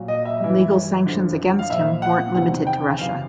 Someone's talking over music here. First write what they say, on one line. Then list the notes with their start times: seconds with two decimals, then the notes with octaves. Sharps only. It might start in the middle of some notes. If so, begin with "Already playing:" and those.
Legal sanctions against him weren't limited to Russia.
Already playing: A#2 F#3
0.08 D#5
0.25 E5
0.40 G2 E3
1.06 F#2 D3 F3
1.59 F5
1.70 A#2 F3 E5
2.02 F#5
2.34 E2 C3 D#3 F#5
2.67 G5
2.98 F#2 C#3 E3 F5